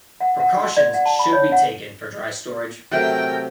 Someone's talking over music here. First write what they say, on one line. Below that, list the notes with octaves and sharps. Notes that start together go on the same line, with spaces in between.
Precautions should be taken for dry storage.
F#5
F#5
F#4
D5
F#5
A5
B5
C#5
F#5
C3 F#3 A3 A#4 G5